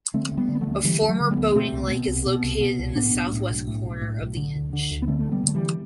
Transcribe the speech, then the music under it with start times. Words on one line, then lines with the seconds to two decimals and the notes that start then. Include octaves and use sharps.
A former boating lake is located in the southwest corner of the inch.
0.14 D3 A3 C4
0.32 D2
0.37 G3 B3
0.49 D3
0.55 B3
0.61 F#3 A3
0.67 D2
0.84 D3 E3 G3
1.02 D2
1.09 F#3 A3
1.20 D3
1.31 G3 B3
1.37 D2
1.55 B2 A3 C4
1.73 C2
1.90 B2
2.07 C2
2.26 B2
2.43 C2
2.61 B2
2.79 C2
2.96 A2 B3 D4
3.14 B1
3.31 A2
3.50 B1
3.67 A2
3.84 B1
4.02 A2
4.20 B1
4.37 D3
4.55 D2
4.73 D3
4.91 D2
5.02 B3
5.08 D3 A3 C4
5.20 A3
5.26 D2
5.31 G3 B3
5.43 D3
5.49 A3
5.55 E3 G3